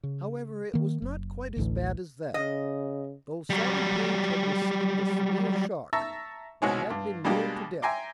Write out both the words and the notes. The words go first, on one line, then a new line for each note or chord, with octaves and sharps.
However it was not quite as bad as that, though Sallie Page had received a severe shock, and had been near to death.
C#3
D#3 A#3
F#1
A1 D2 A2 E3
C#3 D#5
F#3 G3
E5 A5 A#5 C#6 E6
C2 B2 G#3 F#4 G#4 C#5
G2
B2 G3 G#3 A#3 D4 G4
E5 G5 G#5 A#5 C6 D6